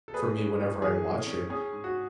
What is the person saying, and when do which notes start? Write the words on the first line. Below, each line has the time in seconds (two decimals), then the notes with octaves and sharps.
for me whenever I watch it.
0.08 A4
0.14 A3 G#4 B4
0.37 C#4
0.59 A2
0.82 E3 G#4
1.05 A3
1.27 C#4
1.50 C#4 G#4
1.73 G#2
1.84 F#4